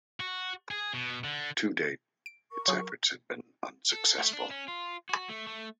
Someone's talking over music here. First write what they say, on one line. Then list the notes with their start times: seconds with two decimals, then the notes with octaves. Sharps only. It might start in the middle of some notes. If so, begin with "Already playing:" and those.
To date, its efforts have been unsuccessful.
0.20 F#4
0.71 G#4
0.93 B2
1.24 D3
2.26 D7
2.52 A#4 C#6
2.68 F#3 F4 G#4
3.93 A4
4.18 A3
4.33 D4
4.50 C#4
4.68 F4
5.09 F#4
5.29 A3
5.47 A3